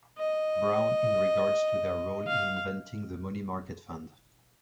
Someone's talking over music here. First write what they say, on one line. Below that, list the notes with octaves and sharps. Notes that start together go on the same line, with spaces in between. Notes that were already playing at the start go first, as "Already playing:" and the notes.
Brown in regards to their role in inventing the money market fund.
D#5
F5